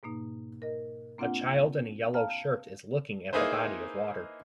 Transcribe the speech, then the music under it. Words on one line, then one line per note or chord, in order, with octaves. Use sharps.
A child in a yellow shirt is looking at the body of water.
G#2 B2 A#3 D#4
A#4 D#5
A#3 C4 D4 F4 F#5
F5 G5 A5 A#5 F6
A#3 D#4 E4 G#4 B4 C5